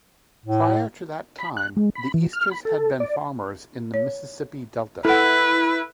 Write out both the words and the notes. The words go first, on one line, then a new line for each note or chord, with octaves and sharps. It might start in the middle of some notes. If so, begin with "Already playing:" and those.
Prior to that time, the Easters had been farmers in the Mississippi Delta.
A2
B5
F#6
G#3
B5
E3
F6
B5
A4
D5
C#5
E4 A4 B4 F#5